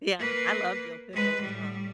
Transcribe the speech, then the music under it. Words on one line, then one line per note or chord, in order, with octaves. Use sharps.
Yeah, I love dill pickles. Um,
A#3 B4
G#3 B4
A2 G3